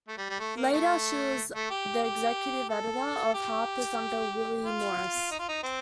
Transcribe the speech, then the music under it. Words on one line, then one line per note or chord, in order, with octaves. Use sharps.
Later she was the executive editor of "Harper's" under Willie Morris.
A3
G3
G3
A3
A#3
A3
A3
G4
G4
A4
G4
F4
D#4
F4
D#4
C4